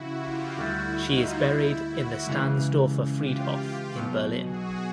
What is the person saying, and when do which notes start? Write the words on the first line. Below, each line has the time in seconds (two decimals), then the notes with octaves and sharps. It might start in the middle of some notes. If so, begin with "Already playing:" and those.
She is buried in the Stahnsdorfer Friedhof in Berlin.
Already playing: C#3 F3 E4 F#4
0.15 F4 G4
0.57 D2 D3 G3 E4 F#4
1.00 D#4 F4
1.42 E4
1.84 E4 F#4
2.27 C#2 C#3 E3
3.11 F4 G4
3.96 B1 B2 F#3
4.38 F#4 G#4